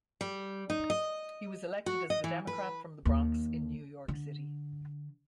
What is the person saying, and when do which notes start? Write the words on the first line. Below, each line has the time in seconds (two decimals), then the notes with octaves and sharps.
He was elected as a Democrat from The Bronx in New York City.
0.21 G3
0.70 D#4
0.90 D#5
1.86 F#4
2.10 D#5
2.24 E3
2.47 B4
3.05 D#2
4.08 D3